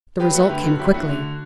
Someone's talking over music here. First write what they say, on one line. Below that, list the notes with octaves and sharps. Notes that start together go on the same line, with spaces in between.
The result came quickly.
F#3 G4 B4
A3 F#4 A4
D3 G4 B4
F#2 F#4 A4
F#3 E4 G4
A3 D4 F#4
D3